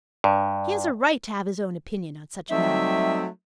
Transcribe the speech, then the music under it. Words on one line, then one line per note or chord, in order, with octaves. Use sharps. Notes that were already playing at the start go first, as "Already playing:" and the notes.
"He has a right to have his own opinion on such a matter."
G2
F#3 G3 A3 C4 D#4 E5